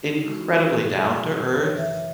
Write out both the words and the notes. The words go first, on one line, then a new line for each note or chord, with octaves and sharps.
incredibly down-to-earth,
D#4
C#3 E3 G#3 F#4
E4
F#4
G#4
A4
B2 F#3 A3 G#4
F#2 C#3 E3 B4
C#5
E5